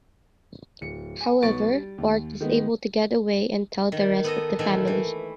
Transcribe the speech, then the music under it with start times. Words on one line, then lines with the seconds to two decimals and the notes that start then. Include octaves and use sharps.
However, Bart is able to get away and tell the rest of the family.
0.81 D1 C#7
1.21 G#5
1.43 B1 B3 C#6 A6 D7
1.70 G3
1.98 D#2
2.40 D#3 G#3 B3
3.92 D#3
4.24 B3 A4 D#5
4.59 A#2 D#3 E3 A3
4.87 E3